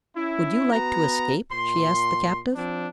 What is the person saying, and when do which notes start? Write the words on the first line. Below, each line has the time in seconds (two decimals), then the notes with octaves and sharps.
"Would you like to escape?" she asked the captive.
0.16 C#4 E4
0.72 B3 F#4 A#5
1.50 A#2 C6
2.54 F3 C4 D4